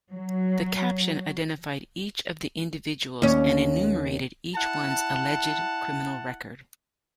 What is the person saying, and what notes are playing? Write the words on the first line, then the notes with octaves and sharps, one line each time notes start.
The caption identified each of the individuals and enumerated each one's alleged criminal record.
F#3
D#2 C#4
E4 F#5 A5